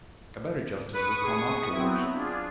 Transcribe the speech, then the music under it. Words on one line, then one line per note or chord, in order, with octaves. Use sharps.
A better justice will come afterwards.
B4 C#6 D#6
D#2 G#3 G#4
F#3 B3 C4 E4
D4 F4 G#4